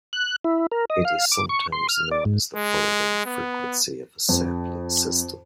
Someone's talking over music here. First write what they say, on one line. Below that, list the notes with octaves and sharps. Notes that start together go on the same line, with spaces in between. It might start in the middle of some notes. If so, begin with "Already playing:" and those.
It is sometimes known as the folding frequency of a sampling system.
F#6
E4
A#4
D#5
F5
D6
C#6
C6
F6
D5
G#2
G#3
B3
F2